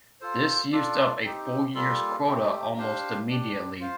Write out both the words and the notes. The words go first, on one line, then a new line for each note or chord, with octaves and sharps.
This used up a full year's quota almost immediately.
F4 A4 C5
D4 F4 A4 D5
C4 D#4 G4
G3 A#3 F4 A4
A3 C4 G4
D4 G4 C5 F5
D4 G4 D5
F4 C5 F5